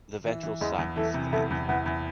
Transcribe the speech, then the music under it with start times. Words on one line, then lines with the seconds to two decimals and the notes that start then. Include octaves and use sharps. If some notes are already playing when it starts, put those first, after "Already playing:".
The ventral side is flat.
0.25 E3
0.43 E3
0.61 E2 G#3
0.78 E2
0.96 E3 A3
1.14 C3
1.32 E2 A3
1.50 E2
1.68 E2 B3
1.86 E2